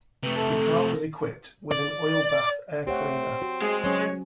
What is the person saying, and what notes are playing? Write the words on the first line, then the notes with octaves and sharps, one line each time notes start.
The car was equipped with an oil bath air cleaner.
C3 A3 B4
A4 E5 A5
A4
A#4
D5
A3 C4 G4 C#5 F#5
F#4 C5
G#3 G#4
F#3 C#4 C#5